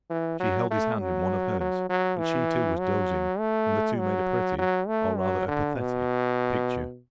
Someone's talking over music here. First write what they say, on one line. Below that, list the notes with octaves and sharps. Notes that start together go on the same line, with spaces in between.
She held his hand in one of hers, but she too was dozing, and the two made a pretty, or rather a pathetic, picture.
E3
F#3
A3
F#3
F#3
F#3
E3
F#3
A3
F#3
F#3
A3
F#3
D3
B2